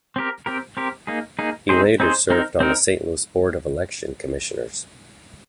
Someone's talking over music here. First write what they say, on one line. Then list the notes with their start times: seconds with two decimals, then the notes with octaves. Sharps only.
He later served on the Saint Louis board of election commissioners.
0.16 C4 G4 A#4
0.46 C4 G4 A#4
0.77 C4 G4 A#4
1.07 A#3 D#4 G#4
1.39 A#3 D#4 G#4
1.69 C4 D#4 G#4 C5
2.00 C4 D#4 G#4 C5
2.30 C4 D#4 A#4
2.60 C4 D#4 A#4